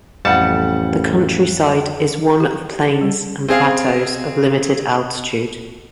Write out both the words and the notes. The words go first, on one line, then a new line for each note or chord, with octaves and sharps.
The countryside is one of plains and plateaux of limited altitude.
A1 F2 G3 F#5 A5 C#7
G4
G3
C4 G#4 F5